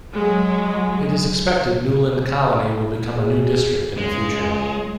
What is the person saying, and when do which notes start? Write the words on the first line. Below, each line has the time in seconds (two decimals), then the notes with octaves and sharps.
It is expected Neuland Colony will become a new district in the future.
0.13 F#3 G#3
3.16 G#4
3.97 C#2 G#3